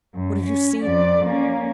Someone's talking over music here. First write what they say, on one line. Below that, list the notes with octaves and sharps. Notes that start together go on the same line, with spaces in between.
What have you seen?
F#2
C#4
F2 D5
A#3 C#4